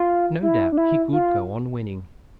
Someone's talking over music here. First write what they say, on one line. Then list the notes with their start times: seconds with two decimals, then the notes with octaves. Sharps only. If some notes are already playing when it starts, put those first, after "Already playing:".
No doubt he could go on winning.
Already playing: F4
0.42 E4
0.72 D4
0.77 E4
1.13 F4